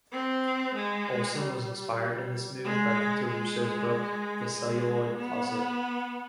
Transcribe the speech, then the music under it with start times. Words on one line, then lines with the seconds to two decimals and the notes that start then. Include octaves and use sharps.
Olson was inspired in this move by Vito Russo's book, "The Celluloid Closet".
0.12 C4
0.75 G#3
1.38 G3
2.64 G#3
3.27 G#3
4.54 G#3
5.17 B3